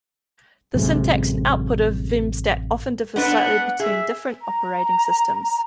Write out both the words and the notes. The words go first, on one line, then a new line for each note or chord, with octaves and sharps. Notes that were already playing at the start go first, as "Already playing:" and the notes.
The syntax and output of vmstat often differs slightly between different operating systems.
A1 F#2 C3 G#3
B3 D4 B4 F#5
G#4 E5
A#5